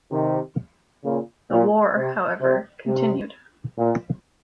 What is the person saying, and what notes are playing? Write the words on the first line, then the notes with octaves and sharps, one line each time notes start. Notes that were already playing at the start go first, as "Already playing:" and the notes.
The war, however, continued.
C3 D#3
A#2 C#3
A#2
C3
C3
C3
A#2